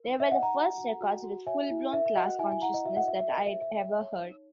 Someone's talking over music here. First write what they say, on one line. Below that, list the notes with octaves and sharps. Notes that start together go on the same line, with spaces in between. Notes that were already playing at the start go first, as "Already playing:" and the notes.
They were the first records with full-blown class consciousness that I'd ever heard.
Already playing: A#4
D#4
E5
D#4 D#5 F#5
F#5 A#5
F#4
F#4
F#4
F#4
C#5 E5 G#5
E4
A#4 E5
E5
F#4 D#5 F#5
E4 E5 G#5
G#5
E4 F#5 A#5
D#5
F#4 E5
D#5 F#5
F#4 E5
E5
A#4 D#5
E5
C#5
E5
C#5
C#5
D#4